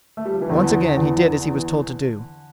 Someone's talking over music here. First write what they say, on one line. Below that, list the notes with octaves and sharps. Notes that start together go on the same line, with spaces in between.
Once again he did as he was told to do.
A3
G3
F3
E3
E2 D3
E2